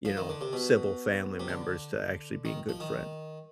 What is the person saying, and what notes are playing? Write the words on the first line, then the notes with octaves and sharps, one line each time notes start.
you know, civil family members to actually being good friends.
F3
D#3
D3
C3
B2
C3
D3
D#3
F3
D#3